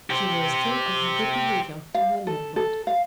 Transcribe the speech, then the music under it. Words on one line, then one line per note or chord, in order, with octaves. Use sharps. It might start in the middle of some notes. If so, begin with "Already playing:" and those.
She was still on her good behavior to her landlord.
G4 C5
F5
A4
A4
F5